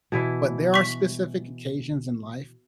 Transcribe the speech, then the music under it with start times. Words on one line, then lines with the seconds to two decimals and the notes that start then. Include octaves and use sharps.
but there are specific occasions in life
0.12 B2 E3 E4
0.74 C#6 B6